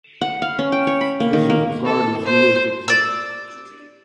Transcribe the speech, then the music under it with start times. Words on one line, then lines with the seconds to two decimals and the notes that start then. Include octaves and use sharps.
This is the garden's newest exhibit.
0.21 F#5
0.42 F5
0.59 C#4
0.72 G5
0.87 C#5
1.01 B5
1.20 A#3
1.33 D#3
1.50 A#3
1.85 A4
2.24 C5
2.88 D5 E6